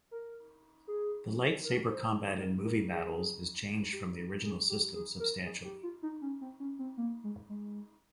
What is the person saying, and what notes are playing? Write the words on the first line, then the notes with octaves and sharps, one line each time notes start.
The lightsaber combat in "Movie Battles" is changed from the original system substantially.
A#4
G#4
A#4
C5
A#4
A#4
G#4
G4
G#4
G4
G#4
A#4
G#4
G4
F4
D#4
C#4
C4
C#4
C4
A#3
G#3
G#3